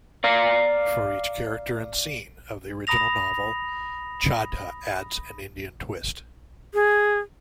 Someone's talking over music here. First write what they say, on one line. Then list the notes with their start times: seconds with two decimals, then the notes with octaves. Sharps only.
For each character and scene of the original novel, Chadha adds an Indian twist.
0.24 D5 F5 A#5
2.87 A#5 B5 D#6 A#6 F7
6.74 G#4